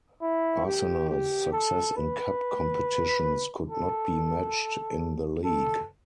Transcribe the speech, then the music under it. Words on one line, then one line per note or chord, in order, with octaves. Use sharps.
Arsenal's success in cup competitions could not be matched in the league.
E4
G4
G4
A4
B4
A4
A4